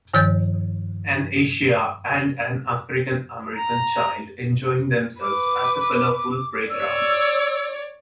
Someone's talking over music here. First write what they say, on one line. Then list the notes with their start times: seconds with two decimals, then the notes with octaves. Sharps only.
An Asian and an African American child enjoying themselves at a colorful playground.
0.14 G2 D#3 F3 C#5 G6 A6
3.53 A#5
5.21 B4 D6
6.70 C#5 D5 E6